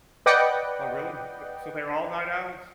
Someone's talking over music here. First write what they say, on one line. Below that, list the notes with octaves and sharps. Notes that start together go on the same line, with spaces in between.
Oh, really? S So they're all night owls?
B4 D5 D#5 F#5 G5